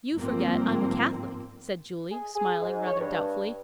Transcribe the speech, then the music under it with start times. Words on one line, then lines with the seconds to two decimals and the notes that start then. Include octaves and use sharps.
"You forget I'm a Catholic," said Julie, smiling rather doubtfully.
0.16 G1 G#2 F3 A#3 C4
2.11 G#4
2.36 G#4
2.62 G#2
2.87 C#5
3.00 G2